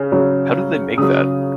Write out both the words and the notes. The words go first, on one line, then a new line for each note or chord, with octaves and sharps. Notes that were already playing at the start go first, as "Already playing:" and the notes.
How did they make that?
Already playing: C#3
C#3 F#3
C#3 F#3 D#6